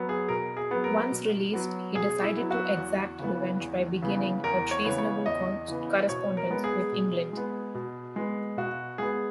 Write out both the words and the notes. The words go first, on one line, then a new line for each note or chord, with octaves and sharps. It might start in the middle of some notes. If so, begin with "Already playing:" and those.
Once released he decided to exact revenge by beginning a treasonable correspondence with England.
Already playing: F#3 B3
G#4
B2 A#4
G#4
F#3 B3
A#4
B2
F#3 B3
B2 G#4
E4
F#3 B3
F#4
E2
C#3 E3 B3
E2
C#3 E3 B3
E2 A#4
C#5
C#3 E3 B3
C#5
E2 D#5
C#3 E3 B3
B2 C#5
A#4
G#3 B3
G#4
B2
G#3 B3
B2
G#3 B3
B2 F#4
G#3 B3 G#4